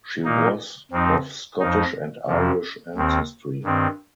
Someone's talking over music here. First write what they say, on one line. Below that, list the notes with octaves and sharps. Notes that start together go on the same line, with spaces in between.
She was of Scottish and Irish ancestry.
A#2 A#3 D#4
F2 F3 C4 D#4
F2 F3 D#4
F2 C3 F3
D#2 D#3 C4
G2 D#3 C4